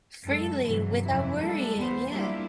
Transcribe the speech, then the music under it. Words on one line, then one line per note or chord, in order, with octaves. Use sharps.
freely without worrying, yeah.
F#2 G#3 A4
G2 C3 E3 F#3
F2 C3 E3 E4
G3 G#3 A#3 D4 E4 A4
E2 B3 C5
G3 A#3 D4 E4 F4 G4